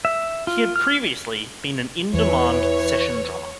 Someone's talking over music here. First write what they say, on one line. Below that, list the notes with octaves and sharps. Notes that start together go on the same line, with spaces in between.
He had previously been an in demand session drummer.
E5
F4
F6
E2 E3 B4 C#5